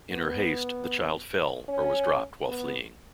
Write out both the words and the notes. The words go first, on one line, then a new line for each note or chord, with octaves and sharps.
In her haste, the child fell, or was dropped while fleeing.
B3
C#4
B3